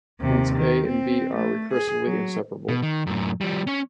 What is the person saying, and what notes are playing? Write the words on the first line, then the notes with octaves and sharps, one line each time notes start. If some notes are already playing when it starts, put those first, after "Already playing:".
Hence "A" and "B" are recursively inseparable.
D#2 C3
D#3
C4
A3
G#4
F#3
B2
D#3
F#2 A2
F3 G3
C#4 C#5